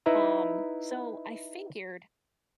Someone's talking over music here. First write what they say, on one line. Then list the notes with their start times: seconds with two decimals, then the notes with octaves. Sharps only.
Um, so I figured,
0.06 D#4 E4 B4 E5 A#5